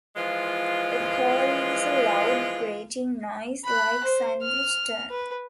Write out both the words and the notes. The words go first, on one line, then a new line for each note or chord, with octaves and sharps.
The call is a loud grating noise like Sandwich tern.
E3 F3 G#3 F4
B5 F#6
C5
F6
B4